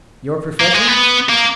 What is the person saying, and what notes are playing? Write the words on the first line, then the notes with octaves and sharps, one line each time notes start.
"Your profession?"
A#3
G#3
B3
A#3